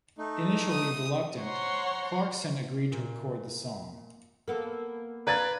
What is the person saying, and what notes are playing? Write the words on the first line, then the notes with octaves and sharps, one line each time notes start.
Initially reluctant, Clarkson agreed to record the song.
A3 D#4
D#6
C5 C#5 F#5 A#5 C6 C#6
A#2
A#3 B3 A4
B4 D5 F5 A#5 F#6 G#6 A6